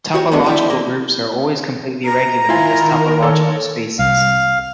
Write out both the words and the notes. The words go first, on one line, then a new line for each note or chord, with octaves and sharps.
Topological groups are always completely regular as topological spaces.
F#4 G4 C#5
G#3 A3 B3 D4 F#4
D#3 F3 G3 E4
E2 A#3
A#5
D#3 E4 F4 A#4 G#5
A4 C#5
C2 F5